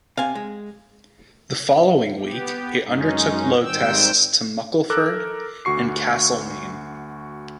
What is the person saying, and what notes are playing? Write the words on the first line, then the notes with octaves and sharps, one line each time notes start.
The following week it undertook load tests to Muckleford and Castlemaine.
C3 C4 F5 G#5
G#3
B3 G4
F#2 G#3 C#4 D#4
G#2 D#3 G3 C4 G5 E6
A4 A#4 D6 E6 F#6
D2 F#4 C#6 C7